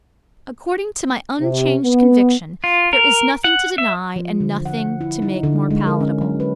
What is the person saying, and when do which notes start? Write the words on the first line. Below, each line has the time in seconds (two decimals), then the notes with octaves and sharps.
According to my unchanged conviction there is nothing to deny and nothing to make more palatable.
1.40 C3
1.84 B3
2.64 F4
2.93 A#4
3.44 F#5
3.78 E5
4.16 F3
4.40 D3
4.65 F#5
5.01 E4
5.22 D#4
5.43 D3
5.71 G#3
5.87 A#4
6.00 C#4
6.21 F#3
6.40 B4